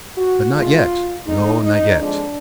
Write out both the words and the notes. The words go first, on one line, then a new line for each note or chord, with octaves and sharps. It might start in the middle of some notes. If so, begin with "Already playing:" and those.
But not yet--no, not yet.
F#4
D2 D3 G#3 F4
F2 D3 G#3 D#4
D#4
F2 F3 G#3 D4